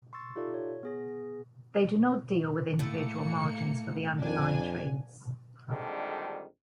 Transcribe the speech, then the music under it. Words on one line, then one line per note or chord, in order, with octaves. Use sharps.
They do not deal with individual margins for the underlying trades.
C6 C#6 E6 A6
D#4 F4 G4 A4 D5 E5
C#5
B3 G#4 A#6
A2 A3 A#3 C#7
F2 D4 G#5
A#1 F2 D3 D#3 G3 G#3